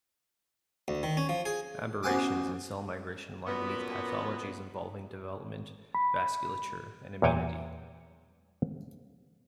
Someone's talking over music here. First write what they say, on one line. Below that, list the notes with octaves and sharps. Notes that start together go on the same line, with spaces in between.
Aberrations in cell migration lie beneath pathologies involving development, vasculature, and immunity.
D2
D#3
C#4
F3
G#4
A1 B2 C5 F#5 G#5 D6
F#2 A#2 B3
B5
E2 A#2 C#5 G5 G#5